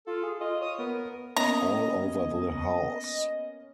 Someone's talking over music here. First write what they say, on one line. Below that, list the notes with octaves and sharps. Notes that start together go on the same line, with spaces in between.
All over the house!
F4 A4
G#4
F4 D#5
C#5 D#6
B3 A#4
A#3 B3 C#4 D#5 A#5